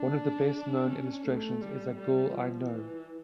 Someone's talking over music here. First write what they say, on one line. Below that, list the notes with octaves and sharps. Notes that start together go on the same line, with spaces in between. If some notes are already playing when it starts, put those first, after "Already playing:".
One of the best known of his illustrations is "A Girl I Know".
Already playing: D4
C#4
A3
G3
G3
F3
E3